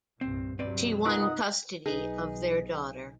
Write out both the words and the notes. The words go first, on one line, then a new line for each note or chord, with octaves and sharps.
She won custody of their daughter.
C2 G2 A#2 C4
G2 C3 F#3 C4 B4 D5
D#4 F4 A#4 B4 D#5 F#5 D#6 F#6
B1 D#4 G#4 B4